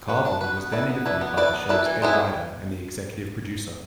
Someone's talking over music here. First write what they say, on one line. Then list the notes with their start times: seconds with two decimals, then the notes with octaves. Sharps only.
Carvell was then interviewed by the show's head writer and the executive producer.
0.08 F#4 B4
0.25 D4
0.41 F#4 B4
0.57 B3
0.72 E4 B4 D5
0.89 B3
1.05 E4 B4 D5
1.21 B3
1.37 E4 B4 D5
1.54 B3
1.69 E4 B4 D5
1.86 E3
2.02 G#3 B3 E4